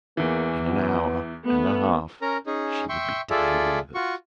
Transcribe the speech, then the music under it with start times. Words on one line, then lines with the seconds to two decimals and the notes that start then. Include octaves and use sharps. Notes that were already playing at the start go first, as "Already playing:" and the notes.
In an hour and a half she would be dining with us.
0.17 E2 E3 A#3
0.67 B3
1.45 A3 B3
2.22 C#4 A#4 A#5
2.46 C#4 D#4 G#4
2.89 E5 G5 C6 C#6
3.30 F4 G#4 A4 D5 E5
3.95 F4 F#4 C#6